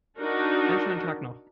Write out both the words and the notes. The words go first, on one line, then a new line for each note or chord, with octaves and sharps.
Einen schönen Tag noch!
D4 D#4 F#4 A#4